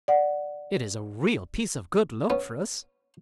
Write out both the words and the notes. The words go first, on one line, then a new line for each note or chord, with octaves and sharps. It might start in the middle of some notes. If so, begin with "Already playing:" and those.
It is a real piece of good luck for us.
D5 F#5
B3 C#4